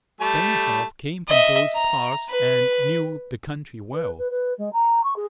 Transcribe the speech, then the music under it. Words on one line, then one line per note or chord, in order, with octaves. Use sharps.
Denisov came from those parts and knew the country well.
G3 A3 A5
D#5 E5
A#5
B4
B4
B4
B4
G#3
A#5
C#6
G#4